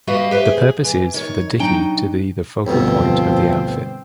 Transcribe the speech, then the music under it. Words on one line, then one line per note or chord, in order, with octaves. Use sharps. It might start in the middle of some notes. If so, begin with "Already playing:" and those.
The purpose is for the dickey to be the focal point of the outfit.
G3 F#4 G4 B4 D#5 F5
G4 B4 C5 E5
G#4
E3
D#3 C#5
F#3 D4 D#4 G5
D2 G2 B2 F3 C4